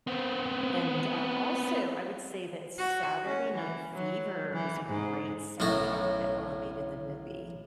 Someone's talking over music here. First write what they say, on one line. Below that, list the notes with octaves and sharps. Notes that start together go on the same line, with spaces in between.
and, uh, also, I would say that Saturday Night Fever was a great soundtrack that elevated the movie.
B3 C4
F#4
C#4
E3
F#3
E3
G#2
B1 F#2 A2 F#4